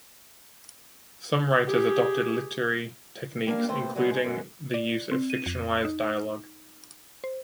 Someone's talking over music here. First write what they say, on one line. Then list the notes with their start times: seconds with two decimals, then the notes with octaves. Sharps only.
Some writers adopted literary techniques, including the use of fictionalized dialogue.
1.64 G4 G#4
3.47 G3 A#3 D4 F5
3.68 D#2 C3 A3 B4 C5 G5
3.95 A#2 F#3 G#3 B3 F#5
4.11 G#3 D4 D#4
4.24 F#2 B2 G#3 F#5
4.74 D5
5.11 C4
5.30 D#7
5.46 F2
5.85 D#4
7.24 C5